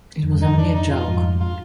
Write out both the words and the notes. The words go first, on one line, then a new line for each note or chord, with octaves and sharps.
It was only a joke.
F2
G2
F2 G#2 D#4
D4
D#4
F4
F2 G#2
F4